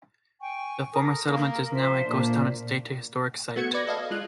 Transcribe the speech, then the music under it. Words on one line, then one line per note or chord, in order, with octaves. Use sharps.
The former settlement is now a ghost town and state historic site.
G5 G#5 C#6
A4 A#4 D#6
A#3 A#4
F3 C5 E5
A#2 A#3 D4
A3 B3 F#4 G#6 C#7
B4 D5 G#6 A#6
A4 D#5 F5
G#3 F4 F#6